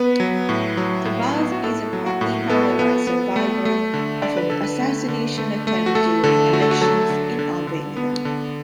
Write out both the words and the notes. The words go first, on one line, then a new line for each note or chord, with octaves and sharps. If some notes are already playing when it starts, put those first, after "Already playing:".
Tabaj is a partly paralyzed survivor of an assassination attempt during elections in Albania.
Already playing: B3 B4
F#3
A2
F#3
A2
B3
F#4
A2 A4
F#3
F#4
A2
B3 A4
B3
B3
A3
A3
D3
D3 D5
B4
D3 A4
B4
A3
D3
A3
A3
F#4
A3 A4
D3 A4
A3 F#4
A4
F#4
F#3 A4
D3
D3
D3
B3
D3